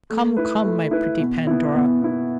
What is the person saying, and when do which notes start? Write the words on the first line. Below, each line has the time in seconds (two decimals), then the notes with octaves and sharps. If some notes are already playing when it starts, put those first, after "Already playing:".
Come, come, my pretty Pandora!
0.10 A3
0.37 E4 B4
0.64 A3
0.91 E4 B4
1.19 B2
1.47 B3 E4
1.74 B2
2.01 B3 E4